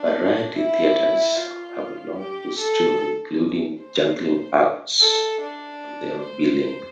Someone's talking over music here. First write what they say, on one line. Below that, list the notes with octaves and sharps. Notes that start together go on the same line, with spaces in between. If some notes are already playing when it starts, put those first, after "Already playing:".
Variety theatres have a long history of including juggling acts on their billing.
Already playing: D4
E4
F4
G4
A4
C5
A4
D4
C5